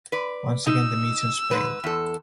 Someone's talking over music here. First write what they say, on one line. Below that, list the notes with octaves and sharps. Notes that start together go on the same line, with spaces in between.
Once again the missions failed.
B4 D5
D#4 E6
G#2 B4
E2 A4